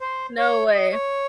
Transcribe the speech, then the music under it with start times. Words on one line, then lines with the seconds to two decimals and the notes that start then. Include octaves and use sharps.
No way.
0.01 C5
0.38 C#5
0.74 D#5
0.93 C#5